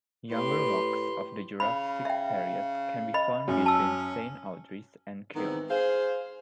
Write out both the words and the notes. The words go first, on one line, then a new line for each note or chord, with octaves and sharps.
Younger rocks of the Jurassic period can be found between Saint Audries and Kilve.
A2 G4 B4 C6
C#3 B5
E5 G5
D#5 B5
F#2 C#4
A5 E6
G#2 D#3 E3 B3 C4 D#4
G#4 C5 F5